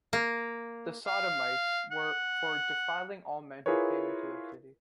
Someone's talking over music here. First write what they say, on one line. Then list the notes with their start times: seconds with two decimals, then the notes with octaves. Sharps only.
The Sodomites were for defiling all men who came into their city.
0.13 A#3
1.07 F5
1.91 F#5
3.66 E4 F4 G#4 A#4 B4 C#5